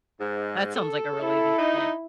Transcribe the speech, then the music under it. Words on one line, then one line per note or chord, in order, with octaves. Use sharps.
that sounds like a really neat thing.
G#2
A4
E4
D#4